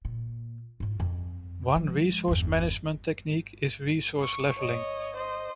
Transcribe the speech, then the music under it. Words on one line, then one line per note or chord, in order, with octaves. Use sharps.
One resource management technique is resource leveling.
A#2
G#2 F4
F2
F3 G#3
G1 E2
C#6
C#5 D#5
C5 D#5